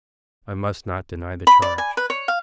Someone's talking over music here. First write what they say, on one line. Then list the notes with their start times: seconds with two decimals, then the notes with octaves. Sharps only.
"I must not deny the charge."
1.47 B5
1.62 D5
1.78 G#5
1.97 B4
2.10 C#5
2.28 F5